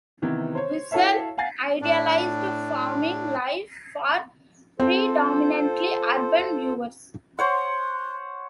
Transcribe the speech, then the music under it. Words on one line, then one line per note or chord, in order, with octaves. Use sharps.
Wissel idealised farming life for predominantly urban viewers.
C3 D#3 E3 B3
C5 C#5
E4 F#4 A4 C#5 E5 F5
F5 F#5 G#5 A6 C7
A2 D4
C4 F4 A4 C5
C5 C#5 F#5 C6